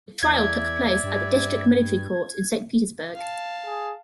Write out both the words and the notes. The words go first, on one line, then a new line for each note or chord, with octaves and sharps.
The trial took place at a district military court in St.Petersburg.
E2 D5 E5 G#6
G2
F5 A5
G#4